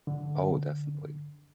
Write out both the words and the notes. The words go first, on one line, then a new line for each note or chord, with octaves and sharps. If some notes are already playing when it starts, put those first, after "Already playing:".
Oh, definitely.
D3